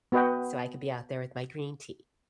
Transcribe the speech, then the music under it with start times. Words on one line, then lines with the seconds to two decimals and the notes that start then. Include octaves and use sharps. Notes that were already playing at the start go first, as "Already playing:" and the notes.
with, so I could be out there with my green tea.
0.12 B3 F#4 B4 D#5 G5